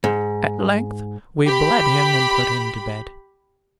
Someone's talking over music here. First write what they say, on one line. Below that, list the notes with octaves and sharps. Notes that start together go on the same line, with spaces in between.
At length we bled him and put him to bed.
G#2
G4 B5